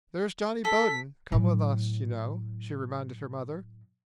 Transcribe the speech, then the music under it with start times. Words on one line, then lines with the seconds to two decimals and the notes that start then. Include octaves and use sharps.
"There's Johnny Bowden come with us, you know," she reminded her mother.
0.65 A4 B6
1.32 A2 F#3